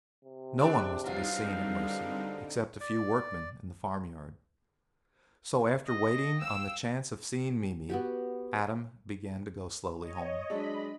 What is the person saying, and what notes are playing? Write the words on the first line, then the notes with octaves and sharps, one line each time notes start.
No one was to be seen at Mercy except a few workmen in the farmyard, so, after waiting on the chance of seeing Mimi, Adam began to go slowly home.
C3
G#3 D4 D5
E2 F#3 G3 C4 D4 D#4 F4 F5
D3
D5
D#5
F5 G5 E6
B3 F#4 G4
C#5 D#5
F#3 G#3 D4 D#5 B5